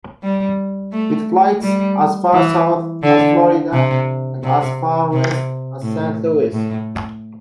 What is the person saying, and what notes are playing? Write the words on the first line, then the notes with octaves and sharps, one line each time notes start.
With flights as far south as Florida, and as far west as Saint Louis.
G3
A3
G3
E3
D3
C3
C3
C3
A2
A2